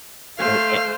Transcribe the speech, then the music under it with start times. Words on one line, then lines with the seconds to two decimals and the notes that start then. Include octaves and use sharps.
Er, it
0.39 A3 C5 F5